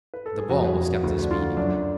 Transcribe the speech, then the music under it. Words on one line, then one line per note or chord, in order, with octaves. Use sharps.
The bomb was Captain Speedy.
B4
A4
G#4
F2 F#4
G#4
F2
F#4
D2 F#4
D4
D3 F4
F#2 D4